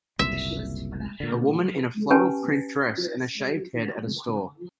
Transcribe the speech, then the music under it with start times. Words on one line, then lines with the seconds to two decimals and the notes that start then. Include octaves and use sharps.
A woman in a floral print dress and a shaved head at a store.
0.19 F#1 C2 A#2 E5
1.20 A#2 D3
2.11 C#4 G4 B4 G#5 A5